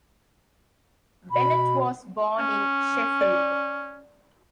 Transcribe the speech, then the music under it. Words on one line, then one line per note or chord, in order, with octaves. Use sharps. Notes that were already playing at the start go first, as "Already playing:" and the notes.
Bennett was born in Sheffield.
B2 B5
C#4
D5